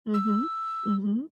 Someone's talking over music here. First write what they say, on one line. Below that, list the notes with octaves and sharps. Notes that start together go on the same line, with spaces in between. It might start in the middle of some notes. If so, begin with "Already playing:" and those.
Mhm, mhm.
E6